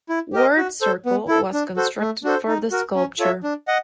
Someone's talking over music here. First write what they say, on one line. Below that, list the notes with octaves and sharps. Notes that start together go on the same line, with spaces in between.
Ward Circle was constructed for the sculpture.
E4
G4 A#4 D#5
F#4
A4 C5
B3
E4 A4
D4
F#4 A4 C5
A3
D4 F#4 A4 C5
D#4
F#4 A#4
C#4
F4 A4 C#5 E5
D4
D#5 F#5